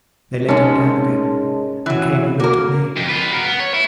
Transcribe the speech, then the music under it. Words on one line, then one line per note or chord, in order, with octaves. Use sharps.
They laid him down again, and came and looked at me.
G#2 G#3 C#4 D#4 A#4 A5
E3 F#3 F#6
A#3 F#4 A#4
F2
F4 B4
F#4 A#4
B3
C#5
E4